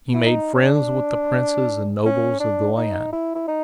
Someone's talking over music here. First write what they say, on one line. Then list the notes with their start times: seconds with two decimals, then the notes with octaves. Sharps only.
He made friends with the princes and nobles of the land.
0.15 E4
0.26 D#4
0.54 C#4
0.62 D4
2.06 C#4
2.40 D4
2.77 D#4
3.13 E4
3.35 E4
3.48 D#4